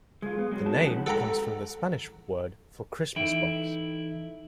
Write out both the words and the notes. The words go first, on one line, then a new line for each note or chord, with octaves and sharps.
The name comes from the Spanish word for "Christmas box".
G#3 F4
B3
F#3 G#3
D#4 F#4 A5
A2 F3 C#4 B4 F#5
A4 F#5 G5 A#5 B5
E3 D#4 E4 A4 G5